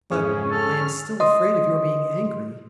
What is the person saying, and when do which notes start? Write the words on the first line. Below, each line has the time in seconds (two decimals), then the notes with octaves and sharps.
"But I am still afraid of your being angry."
0.12 F2 G#2 C#3 C#4 G#4
0.51 A4 F6
1.20 D#5 C6 D#6